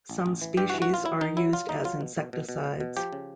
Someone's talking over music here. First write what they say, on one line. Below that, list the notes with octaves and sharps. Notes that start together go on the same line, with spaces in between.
Some species are used as insecticides.
A1
A1
E3
G2 G4
F#4
E3
F#4
A1 F4
F#3 E4
D#3 D#4
F#3 E4
F#3 F4
D#2 D#4
F#3 F4
B2
B2
B2
B2
C#2
B2
F3 G4
C#3